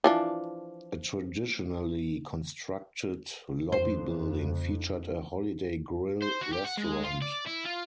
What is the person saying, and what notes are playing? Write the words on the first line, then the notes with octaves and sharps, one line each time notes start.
A traditionally constructed lobby building featured a Holiday Grill restaurant.
E3 F3 D4
F2 C5
C5
F#4
G4
F#5
G#3
F4
D5
E4
F4